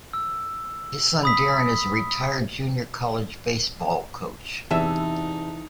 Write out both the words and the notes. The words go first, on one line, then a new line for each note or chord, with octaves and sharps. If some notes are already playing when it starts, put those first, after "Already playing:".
His son Darren is a retired junior college baseball coach.
E6
B5 D#6 B6
E2 C3 E3 D#4 E5 A5